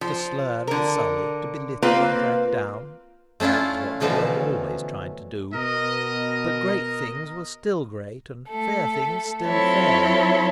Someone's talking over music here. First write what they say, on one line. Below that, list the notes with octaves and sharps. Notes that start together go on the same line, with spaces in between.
To slur and sully, to belittle and drag down--that was what the world always tried to do. But great things were still great, and fair things still fair.
F3
D3 A#4
A#3 C4 F4 B4
A3 C#4 D4 E4 F4
B2 D3 E3 F3 A3 C#4
B2 A#4 D#5
A3 A4
F#3 C4 E4 F4 A4 C#5